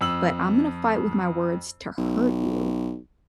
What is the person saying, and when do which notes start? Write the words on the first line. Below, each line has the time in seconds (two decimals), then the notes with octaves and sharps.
but I'm gonna fight with my words to hurt you."
0.01 F2 E6 F#7
1.98 B1